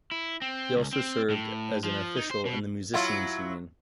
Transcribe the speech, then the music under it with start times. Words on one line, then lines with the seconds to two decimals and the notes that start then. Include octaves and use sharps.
He also served as an official in the Musicians' Union.
0.11 E4
0.42 C4
0.76 C#2
0.93 C4
1.30 A2
1.84 F3
2.16 D#4
2.31 C5
2.46 B2
2.94 F#3 E4 F4